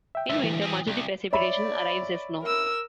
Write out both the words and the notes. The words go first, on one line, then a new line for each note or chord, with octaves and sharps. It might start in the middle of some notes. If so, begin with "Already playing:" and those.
In winter, much of the precipitation arrives as snow.
E5 G5
D2 G2 E5
E3
C4 G#4
C2
C#5 D5 E5 B5
A#4 E6